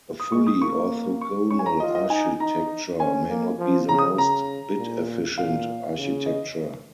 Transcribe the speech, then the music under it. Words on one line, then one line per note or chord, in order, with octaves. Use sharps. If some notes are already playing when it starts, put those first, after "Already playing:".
A fully orthogonal architecture may not be the most "bit efficient" architecture.
D#6
G#3 C#6
D#6
A#3 C#6
C#6
C#4 C#6
G#5
A#5
F4 D#5
D#5
D#4 G#5
D#4 A#5
C#4 G#5
A#3
F3
C#3 A#5
D#6
C#3 A#5
A#2
A#2 F5
C#3
D#5